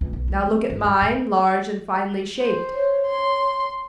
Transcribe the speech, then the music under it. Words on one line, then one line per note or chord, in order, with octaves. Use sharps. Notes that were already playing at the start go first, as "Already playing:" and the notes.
Now, look at mine, large and finely shaped.
C#2
B1
F3
C4
G1
F#2
A#2
C5
C#5
C6